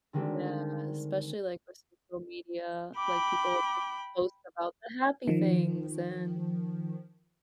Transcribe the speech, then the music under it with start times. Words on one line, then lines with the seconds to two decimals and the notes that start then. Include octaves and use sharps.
Yeah, especially, like, with social media, like, people just post about the happy things, and
0.13 D3 D#3 G3 G#3 C4
2.98 G5 B5 D6
5.27 D#3 F3